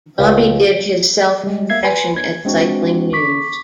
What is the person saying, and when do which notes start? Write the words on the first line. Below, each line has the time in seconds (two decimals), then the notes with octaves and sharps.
Bobby did his self-confession at CyclingNews.
0.19 C#2
1.44 G3 G#3
1.69 A#3 E5 G#6 C7
1.84 B4 G#5 B5 C6
2.16 G#6
2.45 G#3 C4 D4 F#4
3.13 C#6 D6 B6